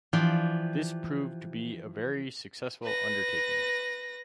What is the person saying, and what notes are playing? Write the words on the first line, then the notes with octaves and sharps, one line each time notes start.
This proved to be a very successful undertaking.
E3 F3 G4 D5 C6
B4 A#6